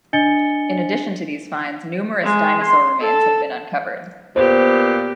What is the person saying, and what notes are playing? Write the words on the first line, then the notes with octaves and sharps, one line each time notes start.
In addition to these finds, numerous dinosaur remains have been uncovered.
D4 D#5 G#5 A6 C#7 G7
G#3
C6
A4
A#2 B3 G4 C5